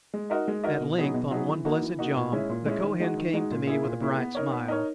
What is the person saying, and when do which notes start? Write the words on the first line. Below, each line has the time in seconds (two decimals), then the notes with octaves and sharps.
At length on one blessed jom, the Kohen came to me with a bright smile.
0.14 G#3
0.30 D#4 F#4 A#4 D#5
0.48 G#3
0.64 D#4 F#4 A#4 D#5
0.81 B2
0.98 F#3 B3 D#4 G#4
1.14 B2
1.31 F#3 B3 D#4 G#4
1.48 E3
1.65 A#3 D#4 F#4
1.82 E3
1.99 A#3 D#4 F#4
2.16 A#2
2.32 G#3 C#4 E4
2.50 A#2
2.66 G#3 C#4 E4
2.83 D#3
3.00 G#3 D#4 F#4
3.17 D#3
3.34 G#3 D#4 F#4
3.51 A#2
3.67 A#3 E4 G#4
3.84 A#2
4.01 A#3 E4 G#4
4.18 B3
4.35 D#4 A#4 C#5
4.51 B3
4.68 D#4 A#4 C#5